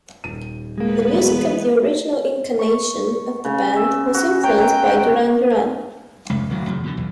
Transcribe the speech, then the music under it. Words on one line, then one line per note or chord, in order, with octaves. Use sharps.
The music of the original incarnation of the band was influenced by Duran Duran.
D#1 D#7
G#3 A#3 B3 B4
A1 F#3
C#6
C#3
E5
F#4
A#4 C#5 G5
F1 C#2
D1 A1 F#3
F#2 C#3
E2 B2 D3
B1 E2